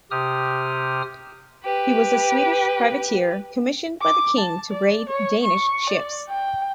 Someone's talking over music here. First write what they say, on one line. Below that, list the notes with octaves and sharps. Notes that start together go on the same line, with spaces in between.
He was a Swedish privateer commissioned by the king to raid Danish ships.
C3 G4 D#6 F6
G4 B4
D6
A5
D5
C#5
C#6
D5
G5